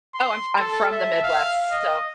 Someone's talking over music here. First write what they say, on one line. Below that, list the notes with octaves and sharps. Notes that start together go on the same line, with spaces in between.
Oh, I'm I'm from the Midwest, so
C6
A4
E5
F5
D#5